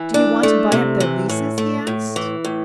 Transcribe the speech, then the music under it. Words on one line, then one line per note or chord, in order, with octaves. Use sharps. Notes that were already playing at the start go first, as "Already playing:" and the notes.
"Do you want to buy up their leases?" he asked.
Already playing: E3
D4
A3
C3
E3
A2
A3
A2
E3
A2